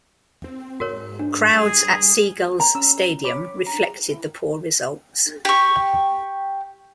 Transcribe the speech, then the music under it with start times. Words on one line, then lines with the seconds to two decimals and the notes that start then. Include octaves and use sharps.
Crowds at Seagulls Stadium reflected the poor results.
0.44 C4
0.80 G#2 F#4 A#4 C#5
1.19 D4
1.53 G3 G#4
2.60 A#5
2.75 C#4 E6
3.24 C#5 B5 D6
3.66 A#5
5.45 G4 C#6